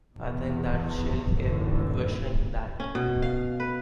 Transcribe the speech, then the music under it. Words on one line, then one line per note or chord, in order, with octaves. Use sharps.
I think that she'll keep wishing that.
E2 B2
G#1 F#2 A2 D3 E3
C#4
B2
F5
B4